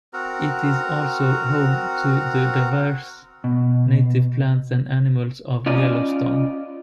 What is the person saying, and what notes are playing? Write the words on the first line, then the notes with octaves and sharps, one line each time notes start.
It is also home to the diverse native plants and animals of Yellowstone.
C4 F#4 A#4 A#5
B2
C#4 F4 D5 D#5